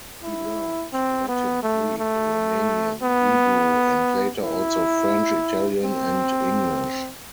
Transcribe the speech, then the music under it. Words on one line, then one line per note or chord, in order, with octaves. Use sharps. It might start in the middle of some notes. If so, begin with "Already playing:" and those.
He learned Latin, Greek, Romanian, Hebrew and later also French, Italian and English.
E4
C4
B3
A3
A3
B3
E4
C4